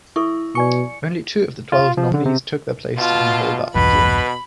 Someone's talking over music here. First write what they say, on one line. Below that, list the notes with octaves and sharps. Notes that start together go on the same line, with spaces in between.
Only two of the twelve nominees took their place in the hall that year.
E4 A4 C#6
B2 D5 G#5 C#6 C#7
F4
F3
D3
C3
B2 F4 A5
B1 E2 G2 B2 B4 B5